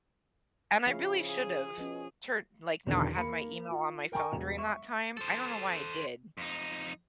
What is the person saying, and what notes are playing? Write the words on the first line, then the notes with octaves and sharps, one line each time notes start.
and I really should've turned like, not had my email on my phone during that time, I don't know why I did.
C#3 F3 E4 F5
G#4
B2 F3 C#4
B1 E2 D3 D#3
A#3 B5 C#7
F4
A#4 G5 G#5 A#5 C#6
E1
E5 C#6
A4 C5
F2 D#4